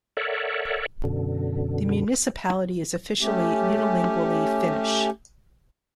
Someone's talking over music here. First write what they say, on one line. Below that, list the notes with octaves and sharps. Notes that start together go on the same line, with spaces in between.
The municipality is officially unilingually Finnish.
A4 A#4 C#5 D5 E5 F#5
F#2 B2 D3
A3 C#4 G4